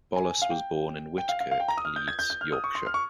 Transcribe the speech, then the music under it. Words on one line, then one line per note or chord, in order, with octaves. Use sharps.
Bolus was born in Whitkirk, Leeds, Yorkshire.
G#5
F5
G5
G5
F5
F5
F5
G5
A#5
D#6
F6
G6
G#6
G6
G6
F6
D#6
C#6
C6
F6
C#6